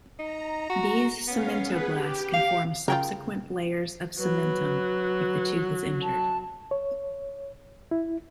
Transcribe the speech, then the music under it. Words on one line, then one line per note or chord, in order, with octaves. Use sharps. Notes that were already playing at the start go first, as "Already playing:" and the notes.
These cementoblasts can form subsequent layers of cementum if the tooth is injured.
D#4 A#5
F#4
B3 C#4 F5
G#4 B4
G4
F5
C#3 F4 A#4 G5
F#3 B4
A5
C#5
E4